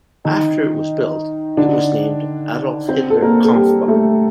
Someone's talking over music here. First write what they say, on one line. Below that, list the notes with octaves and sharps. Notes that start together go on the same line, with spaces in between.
After It was built, it was named "Adolf-Hitler-Kampfbahn".
D#3 D#4
D3 D4
C4 C5
A4
A#3 A#4
A4
G3 G4
A3 A4